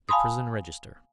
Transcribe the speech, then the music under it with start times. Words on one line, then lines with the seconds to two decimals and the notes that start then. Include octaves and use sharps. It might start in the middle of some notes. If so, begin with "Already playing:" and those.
The Prison Register.
0.09 F5 G#5 A5 B5 C6 D#6